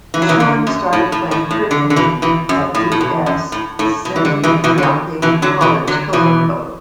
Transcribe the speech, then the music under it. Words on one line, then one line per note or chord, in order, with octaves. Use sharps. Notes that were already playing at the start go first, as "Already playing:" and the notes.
Hashan started playing cricket at D. S. Senanayake College, Colombo.
E3
F#3
B2 E3
D3
F#2
A2
A2
A2
A2
D3
D3
B2 E3
B2 E3
F#2
A2
A2
B2
F#2
A2
A2
B2
E3
D3
B2 E3
B2 E3
D3
B2
B2 E3
D3 F#3
B2 E3
D3 F#3
B2 E3